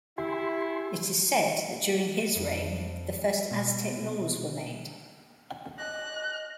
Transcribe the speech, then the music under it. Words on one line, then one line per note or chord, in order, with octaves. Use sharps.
It is said that during his reign, the first Aztec laws were made.
E4 G4 G#5 C6
F2
B2
D#5 F#6